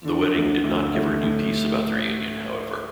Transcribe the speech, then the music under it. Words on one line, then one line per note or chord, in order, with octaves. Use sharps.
The wedding did not give her new peace about their union, however.
D3
D2
D2
A3
A2